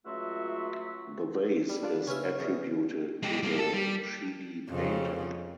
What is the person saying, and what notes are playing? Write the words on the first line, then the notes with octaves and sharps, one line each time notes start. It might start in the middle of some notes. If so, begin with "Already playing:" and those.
The vase is attributed to the Chigi Painter.
C#2 F#3 A3 F4 F#4 E5
G3
D4 F4 D5
C#3 C#4 B4 E5 F6
E2
G#3 G4
G3 A#3
A4
G3
F2 C#3